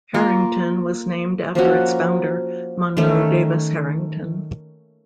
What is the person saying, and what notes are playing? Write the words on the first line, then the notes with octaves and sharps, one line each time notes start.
Herington was named after its founder, Monroe Davis Herington.
A#3 F4 A#4
F3 A#3 C#4 F#4
D#3 A3 C#4